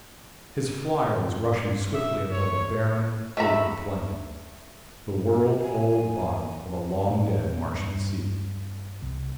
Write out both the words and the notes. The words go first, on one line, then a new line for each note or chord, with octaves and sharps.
His flier was rushing swiftly above a barren, ochre plain--the world-old bottom of a long-dead Martian sea.
E5
C#5
A3 E5 A#5 B5
G#5
A#2
G2
C2